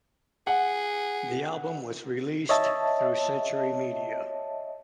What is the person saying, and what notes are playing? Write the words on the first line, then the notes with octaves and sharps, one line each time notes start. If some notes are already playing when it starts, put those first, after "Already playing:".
The album was released through Century Media.
G#4 F#5
C#5 D#5 E5 A5